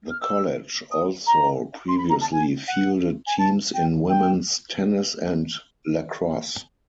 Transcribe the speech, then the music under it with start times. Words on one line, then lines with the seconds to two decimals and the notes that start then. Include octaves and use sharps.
The college also previously fielded teams in women's tennis and lacrosse.
0.10 F6
0.21 E6
0.91 D#6
1.27 A#5
1.88 C6
1.98 B5
2.09 A#5
2.21 A5
2.32 G#5
2.68 F#5
3.27 G#5
3.38 A5
3.74 G5
4.09 G5